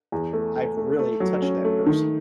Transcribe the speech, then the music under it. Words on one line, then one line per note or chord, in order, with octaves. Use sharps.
I've really touched that person.
E2
A3
A3
A3
A3
F#3
C#4
A3
D#3